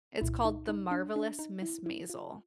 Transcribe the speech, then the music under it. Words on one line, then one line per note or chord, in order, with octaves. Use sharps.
It's called The Marvelous Miss Maisel.
C2 A#2 E4
D#4
D#4
D4
D4
D#4
E4
E4
F4